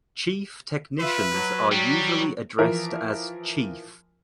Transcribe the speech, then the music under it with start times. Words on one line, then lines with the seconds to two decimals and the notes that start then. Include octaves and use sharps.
Chief technicians are usually addressed as "Chief".
0.99 F4 B4 E5
1.32 F#3
1.72 G3 C#6
2.58 E3 F3 A#4 E5